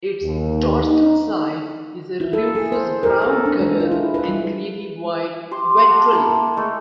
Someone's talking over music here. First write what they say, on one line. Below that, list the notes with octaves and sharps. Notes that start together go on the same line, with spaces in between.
Its dorsal side is a rufous-brown colour, and creamy-white ventrally.
D#2
D#4
E4
A4
G#4
C5
A#4
A4
D4
G#3
F4
E4
B4
G3
G4 C6
A4 F#5 C6 D6
A#3 E4 A5
G#3 A3 A4